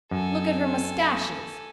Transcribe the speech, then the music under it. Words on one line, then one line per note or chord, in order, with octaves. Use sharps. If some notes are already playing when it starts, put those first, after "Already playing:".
Look at her moustaches!
F#2 A4 G#5